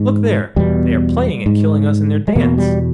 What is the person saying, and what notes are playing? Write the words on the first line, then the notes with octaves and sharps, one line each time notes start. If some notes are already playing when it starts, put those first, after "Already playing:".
"Look there! they are playing at killing us in their dance."
Already playing: G#2 E3
E2 B2 G3
G#2
G#3
E2 B2 A#3
G3